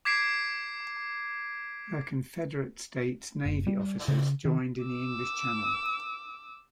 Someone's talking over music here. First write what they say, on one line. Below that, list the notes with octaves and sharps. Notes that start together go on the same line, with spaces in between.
Her Confederate States Navy officers joined in the English Channel.
D6 G#6 B6 C7 D7
F#1
G3
C#3
D#3
D6 E6